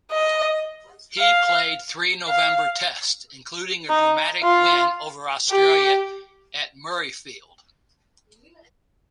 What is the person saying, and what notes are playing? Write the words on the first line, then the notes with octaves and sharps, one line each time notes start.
He played three November Tests, including a dramatic win over Australia at Murrayfield.
D#5
F5
F5
D#4
F4
G4